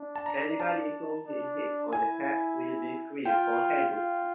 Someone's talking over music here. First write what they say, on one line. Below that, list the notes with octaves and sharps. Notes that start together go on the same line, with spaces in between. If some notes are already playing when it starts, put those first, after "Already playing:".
Anybody whom he hits on the head will be free from headache.
Already playing: D4
A5
A#5
A5
D4
E4 G#5
F4 G5
F4